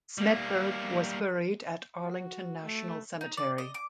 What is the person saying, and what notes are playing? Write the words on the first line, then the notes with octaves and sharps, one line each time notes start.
Smedberg was buried at Arlington National Cemetery.
G3 A#3
F#4
A3
D#4
D5
D#5
D6